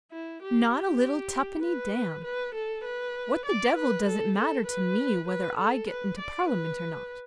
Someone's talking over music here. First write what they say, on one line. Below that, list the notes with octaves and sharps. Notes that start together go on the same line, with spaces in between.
Not a little tuppenny damn. What the devil does it matter to me whether I get into Parliament or not?
E4
G4
G4
B4
B4
A4
B4
D5
B4
A4
A4
B4
B4
A4
B4
D5
B4